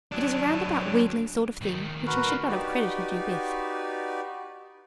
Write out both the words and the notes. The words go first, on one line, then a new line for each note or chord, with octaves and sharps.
It is a roundabout wheedling sort of thing which I should not have credited you with.
F#3 D4
A2 D#3
F#4 A#4 B4
A#3 D4
D#4 F#4 G4 B4 D5